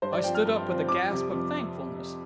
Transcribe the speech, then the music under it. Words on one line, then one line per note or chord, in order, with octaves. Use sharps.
I stood up with a gasp of thankfulness.
G2 C5
D5
F3 C4 G5
F6
G2
F3 C4
F2 D6
C3 G3
F2